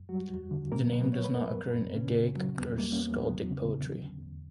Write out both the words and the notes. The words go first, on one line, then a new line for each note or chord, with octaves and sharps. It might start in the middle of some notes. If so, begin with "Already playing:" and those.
The name does not occur in Eddaic or skaldic poetry.
Already playing: F#2
F#3 G3 F#4
E2
D3
A#2 A#3 A#4
F#3 B3 B4
F#3 C#5
B4
F#2 A#4
B3 B4
G3
F#2
A#2 C#3 C#4
A#2
F#3
E2 B3
G3 A#3
C#4
E2 B3
F#3 B3
F#3
C#3 C#4
A#2
D3
E2
E2